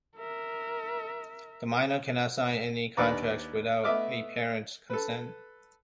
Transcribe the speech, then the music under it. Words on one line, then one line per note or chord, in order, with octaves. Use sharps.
The minor cannot sign any contract without a parents consent.
A#4 E5
D#2 D4 B4 D5 A#5
A3 B3 D#5 E5 D6 F6
A4 B4